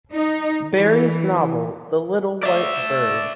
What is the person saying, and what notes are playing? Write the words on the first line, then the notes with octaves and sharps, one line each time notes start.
Barrie's novel "The Little White Bird".
D#4
E3
D5 E5